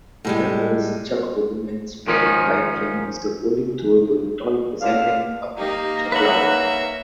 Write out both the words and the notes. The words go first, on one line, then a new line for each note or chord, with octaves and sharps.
Likewise, Chuck Hoberman's Pocket Flight Ring is a folding, throwable toy resembling a chakram.
A2 G3 G#3
G#2 D#3 F3 C#4 D#4
C#2 D3 F5
A#3 D#4 G4
D#4 B4 C#5 E5 F#5